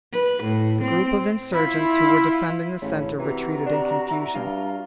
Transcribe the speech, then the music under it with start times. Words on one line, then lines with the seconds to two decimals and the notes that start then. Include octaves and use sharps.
The group of insurgents who were defending the centre retreated in confusion.
0.12 B4
0.43 A2
0.82 C4
1.53 E4 F4
2.82 A1 C#3
3.19 C3 E3 F#4 A#5
3.67 D4
4.11 E4
4.35 G2 F4